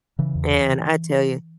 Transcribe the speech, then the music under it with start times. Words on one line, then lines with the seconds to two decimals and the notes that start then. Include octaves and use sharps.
And I tell ya
0.19 C#3 E3
0.35 E2
0.51 C#3